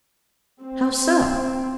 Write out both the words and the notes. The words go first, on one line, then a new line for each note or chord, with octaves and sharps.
"How so?"
C4